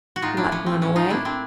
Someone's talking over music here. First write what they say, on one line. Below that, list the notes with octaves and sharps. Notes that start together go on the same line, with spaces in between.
"What, run away?"
F#4
A2 D#4 F4
D4 E4
F3 C#4
C4
A2 C#4
D#4 F4
A#3 D4 E4
C4 D4